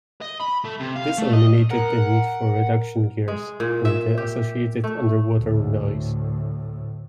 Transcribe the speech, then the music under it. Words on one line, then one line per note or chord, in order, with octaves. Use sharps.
This eliminated the need for reduction gears and their associated underwater noise.
D#5
B5
A3
C3
F5
A3
D#5
A#4 F#5
G#3
A#2
E5
G4
A3
D2 A2